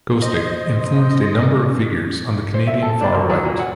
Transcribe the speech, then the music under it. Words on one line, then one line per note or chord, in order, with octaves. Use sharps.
Gostick influenced a number of figures on the Canadian far right.
C5 D#5
C5
E5
A4
D4
C2
F#3
A#2
F#5